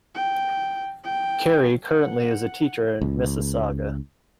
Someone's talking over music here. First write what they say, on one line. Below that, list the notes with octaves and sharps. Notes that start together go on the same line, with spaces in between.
Carrie currently is a teacher in Mississauga.
G5
G5
F#5
C#2